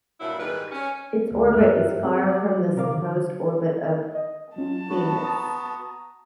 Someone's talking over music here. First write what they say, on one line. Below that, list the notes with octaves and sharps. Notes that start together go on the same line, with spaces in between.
Its orbit is far from the supposed orbit of Themis.
G2 A#2 F#3 E4
G#2 D#3 G3 B4
C#4
D2 G#3
G2 G4 A#4 E5 F6 F#6
C4 G#4
D5
C3 A#4 F5 D6
D3 D#3
D#5
F#3 C#4 F4 A5
B3 D4 E4 F#4
A#5 D#6